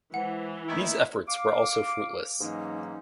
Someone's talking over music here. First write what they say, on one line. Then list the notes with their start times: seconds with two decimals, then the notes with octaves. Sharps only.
These efforts were also fruitless.
0.14 E3 G#3 B4 C5 F#5
0.69 D#3 A3 A#3 E4
1.28 F5 D6
2.41 G#2 E3 F#3 A#3 C#4 D#4